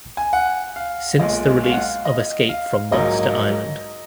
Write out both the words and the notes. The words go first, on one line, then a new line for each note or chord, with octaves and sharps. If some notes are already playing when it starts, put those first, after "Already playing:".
Since the release of Escape from Monsta Island!
G#5
F#5
F5
B1 A#2 G#3 D#5
F5
F#5
F5
D#5
F5
A#1 G#2 F#3 A#3 D#5